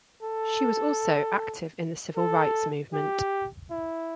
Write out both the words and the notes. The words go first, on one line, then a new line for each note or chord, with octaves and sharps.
She was also active in the civil rights movement.
A4
A4
G4
E4